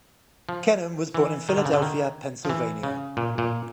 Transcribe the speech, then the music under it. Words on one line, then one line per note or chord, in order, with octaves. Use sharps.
Kennan was born in Philadelphia, Pennsylvania.
F3
E3
D#3
D3
C#3
D3
D#3
F3
E3
C#3
A#2
A#2